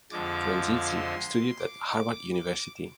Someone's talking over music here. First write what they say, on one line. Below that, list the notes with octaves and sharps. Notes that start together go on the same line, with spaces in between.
Frondizi studied at Harvard University.
F2 D3 F3 G#3 D6
C6
D6
D6